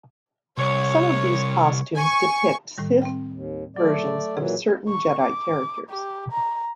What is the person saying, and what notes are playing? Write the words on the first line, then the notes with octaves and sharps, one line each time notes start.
Some of these costumes depict Sith versions of certain Jedi characters.
C2 C#5
G#5 C#6
A2 D#3 G3
C4 G5
D#2
F#3 A3 D5
A#2 E3 F#3 G#4
C#6
D6
G4
A#5